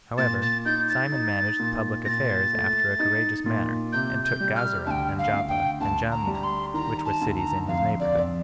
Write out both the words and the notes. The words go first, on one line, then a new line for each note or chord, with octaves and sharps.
However, Simon managed the public affairs after a courageous manner, and took Gazara, and Joppa, and Jamnia, which were cities in his neighborhood.
A#2 A6
A6
D#4 G6
A6
D#4
A#2
A#2 A6 A#6
A3
D#4
A#2
C3 G6
G6
G3
F6
D2 G5 A5
F5
D2
G5
D2 A5
A#5
G3
A#5
C6
D#3 A#5
A5
D2
A#5
F2 F5
D5
F2